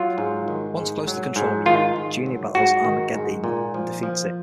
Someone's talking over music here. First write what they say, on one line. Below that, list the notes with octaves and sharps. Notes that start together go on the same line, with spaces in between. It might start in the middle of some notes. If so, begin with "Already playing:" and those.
Once close to the control room, Junior battles Armaggeddemon, and defeats it.
Already playing: F#3 F4
G#2
D#3
G#2
F#3
G#2
D#3 F4
G#2
F#3
G#2 F#4
D#3
G#2
A#2
F3
F3